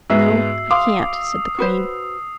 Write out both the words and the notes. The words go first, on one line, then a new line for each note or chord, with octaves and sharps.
"No, I can't," said the queen.
G#2 G#3 B3 F#4 E5 E6 C7
F5 C6 D6 D#6
F#4 B4 C5